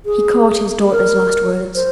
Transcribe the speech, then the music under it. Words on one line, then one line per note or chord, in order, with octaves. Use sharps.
He caught his daughter's last words.
G#4
A#4
C5